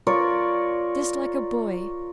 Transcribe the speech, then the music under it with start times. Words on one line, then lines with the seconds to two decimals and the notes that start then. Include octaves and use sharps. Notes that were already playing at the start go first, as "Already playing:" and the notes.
Just like a boy!
0.07 F4 A#4 C#5 D5